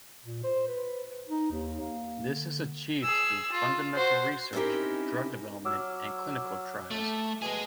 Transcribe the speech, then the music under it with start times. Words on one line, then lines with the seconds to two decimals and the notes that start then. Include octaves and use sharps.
This is achieved through fundamental research, drug development and clinical trials.
0.24 A#2
0.44 C5
0.68 B4
1.29 D#4
1.51 D#2
1.79 A#3
2.28 D3
3.02 G#4 E6
3.52 F4
3.96 F#4 C5
4.53 C4 C#4 D#4 E4 G4 A#4
5.65 F#3 D6 E6 F6
6.91 A3
7.42 B2 G#3 G#4